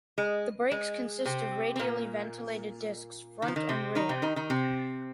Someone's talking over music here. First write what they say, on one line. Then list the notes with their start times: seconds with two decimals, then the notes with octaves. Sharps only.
The brakes consist of radially ventilated discs front and rear.
0.18 G#3
0.71 G#3
1.25 C3 C4
1.76 C4
1.79 A#2 A#3
3.42 D#3
3.48 F3
3.56 D#3
3.69 C3 C4
3.95 D#3 D#4
4.09 C3 C4
4.22 D#3 D#4
4.36 D#3 D#4
4.50 C3 C4